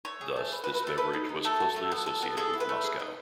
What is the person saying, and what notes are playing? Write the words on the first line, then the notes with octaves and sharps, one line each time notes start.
Thus, this beverage was closely associated with Moscow.
A3 C#5
G#4
A3
A3 B4
B4
F#4
B4
A3 A4
A4 B4
D#4
D#4
A3 A4
F#4
A3
B3
A4
B3
G#4 A4
E4
B4
A3
G#4
D#4